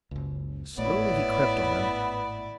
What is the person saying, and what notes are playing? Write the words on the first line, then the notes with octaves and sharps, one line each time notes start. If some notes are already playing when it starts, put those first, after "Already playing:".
Slowly he crept on them.
F#1 C#2
G#1 A2 A3 B3 E4 C#5 D5